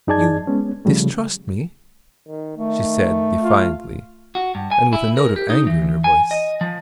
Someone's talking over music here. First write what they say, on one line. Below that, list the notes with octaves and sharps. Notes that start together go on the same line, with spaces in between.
"You distrust me?" she said defiantly, and with a note of anger in her voice.
F#2 D#4 G#4 D5 A5 G#6
G#3 B3 C#4
C#3 F3 G3 A3
D#3
D#3 A3
F4
F#4
G2
G#5
E4
A#4
G4
D#4
E3
G#5
D#5
F3